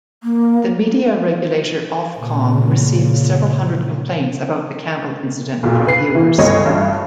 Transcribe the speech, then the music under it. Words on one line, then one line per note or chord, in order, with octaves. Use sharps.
The media regulator Ofcom received several hundred complaints about the Campbell incident from viewers.
A#3
A#2 C#3
B1 A#2
B4 C7
E3
G1 C#2 C#5 D#5
A1 G2